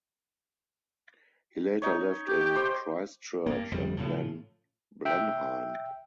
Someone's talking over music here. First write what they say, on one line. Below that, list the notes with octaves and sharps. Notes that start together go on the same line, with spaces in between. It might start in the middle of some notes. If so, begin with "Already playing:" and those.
He later lived in Christchurch and then Blenheim.
D#4 C#5
G4
G5
C5 D6
G2 A#3
G1 F2 G3
A2 C#3 F3
E5 G5